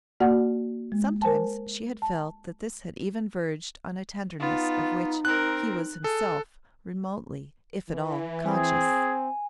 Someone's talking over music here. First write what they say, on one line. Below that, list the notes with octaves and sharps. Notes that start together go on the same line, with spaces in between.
Sometimes she had felt that this had even verged on a tenderness of which he was himself remotely, if at all, conscious.
A#3 F#4 D5 F#5
G#3
A#4 C5 G#5 A5
A5
B3 D#4 F4
C4 A#4 F#6
G#4 A4
E3
C4 G#4 G#5